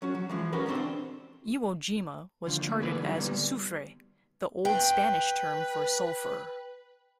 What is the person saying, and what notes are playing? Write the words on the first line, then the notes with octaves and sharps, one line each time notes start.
Iwo Jima was charted as Sufre, the old Spanish term for sulphur.
F#3 C#4 F#4
F#3
E3 F3 G#3
C#4 D#4 F#4 G4 A#4 B4
E2 B2 D3 C4 D4 C6
D#2 D3 F3
A3 A#3
D3 E3 A#3 E4 G#4 B4
G2 D#3 F#3 D#4
D2 A#2 G3 B3
B4 G5